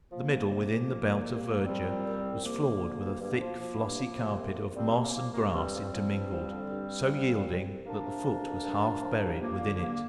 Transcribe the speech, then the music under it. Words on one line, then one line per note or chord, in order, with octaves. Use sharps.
The middle within the belt of verdure was floored with a thick flossy carpet of moss and grass intermingled, so yielding that the foot was half-buried within it.
F3 A#3
C3
F2
F2
F3
A#2
C2
C2
A#3
F3 G3 C4
A#2
C2
C2
F3 A#3
D3
D2
D2
G2 A#3
F3
F3
G2
F3
C3
C2
C2
F3 G3 C4
C3 A#3
C2 A#3
C2 A#3
G2 G3 C4
F3
F3
G2
F3
D3
G2
G2
F3
A#2
C2
C2
F3 A#3 D4
C3
D2
D2
G2
F3
F3
G2
F3 A#3
D3
G2